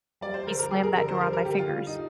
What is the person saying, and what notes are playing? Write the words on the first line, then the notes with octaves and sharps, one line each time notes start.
he slammed that door on my fingers,
G3 D5
C5
D3 A#4
A#4
G3 G#4
A#4
D3 A#4
C5
G3 A#4
A#4
D3 G4
F4
G3
D#4